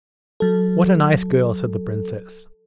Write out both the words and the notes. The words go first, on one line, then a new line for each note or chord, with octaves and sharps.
"What a nice girl!" said the princess.
F#3 A4